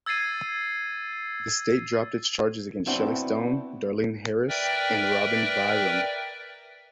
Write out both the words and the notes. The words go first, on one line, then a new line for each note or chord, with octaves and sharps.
The state dropped its charges against Shelly Stone, Darlene Harris and Robin Byrum.
E6 G#6 A6 C7 D#7
B3 C4 D4 E4 F#4 G5
A#4 B4 D5 E5 G5